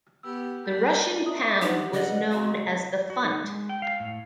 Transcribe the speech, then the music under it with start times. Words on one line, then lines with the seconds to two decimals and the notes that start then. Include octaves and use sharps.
The Russian pound was known as the funt.
0.23 B3 G4 E6
0.65 A#3 D4 G6 B6
1.26 E5 A#5 D#6
1.62 D4 D#4 G4 F#5
1.93 C#3 G#4 B4 D5 D#5 F#5
2.31 C4 F#4 D#5 F5 A#5
3.10 F#4
3.24 D#4
3.44 G#3
3.69 G5
3.82 F5
4.00 A2